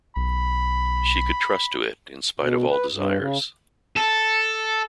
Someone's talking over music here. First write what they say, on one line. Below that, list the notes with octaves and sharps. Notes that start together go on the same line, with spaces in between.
She could trust to it, in spite of all desires.
B1 B5
B2
B4
G2
C#3
A4